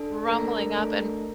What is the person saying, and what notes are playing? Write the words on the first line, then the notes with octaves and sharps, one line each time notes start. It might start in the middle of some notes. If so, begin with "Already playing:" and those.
rumbling up and
Already playing: D4 A4
A3 D4 A4 A#4 A#5
A3 D4 A4